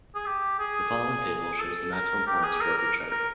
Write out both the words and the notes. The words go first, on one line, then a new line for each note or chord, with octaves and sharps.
The following table shows the maximum points for every chart.
G#4
G4
G#4
A4
A#4
G4
G#4
A#4
A#4
A#4